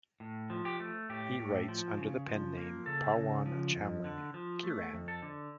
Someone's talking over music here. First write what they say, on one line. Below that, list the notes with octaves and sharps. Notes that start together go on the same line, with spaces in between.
He writes under the pen name Pawan Chamling "Kiran".
A2
F3
G4
A3
A2 G4
A2
F3
C#3
F3
A#3
C#3 A4
C#3
F3
F2
D3
F3
A3
F2
A4
D3